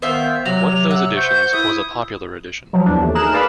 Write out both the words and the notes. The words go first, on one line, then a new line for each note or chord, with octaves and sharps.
One of those editions was a Popular edition.
D#3 B3 C5 E5 F5
C3 F#3 F#4 F7
F#5 E6
C5 E5 C#6 G6
E4 E5 D#6
F3 F#3
E2 D4
D#2 A3
D#4 G#4 A#4 F#6 E7
A#4 B4 D5 F5 A5 B5